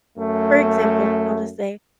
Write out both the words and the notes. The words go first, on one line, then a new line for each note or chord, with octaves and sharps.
for example, I'll just say,
F#2 A3